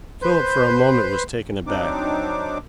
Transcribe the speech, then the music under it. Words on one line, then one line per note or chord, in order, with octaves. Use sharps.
Philip for a moment was taken aback.
B4 C5 C6 G6
F#3 C4 D4 D#4 D6